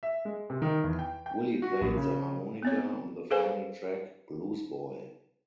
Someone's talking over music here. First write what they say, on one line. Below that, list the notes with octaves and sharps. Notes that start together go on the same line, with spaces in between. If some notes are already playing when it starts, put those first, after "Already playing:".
Willie played the harmonica on the final track "Blues Boy".
E5
G#3
C3
D#3
E2
G5
G5
F#4
A#1
C#3
B3 C4 C#5
G#4 A4 B4 C5 F5 G#5